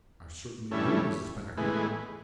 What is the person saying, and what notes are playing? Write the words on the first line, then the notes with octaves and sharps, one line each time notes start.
"I certainly do, Mrs. Packard."
G2 E3 A3 C#4
A2 E3 G#3 B3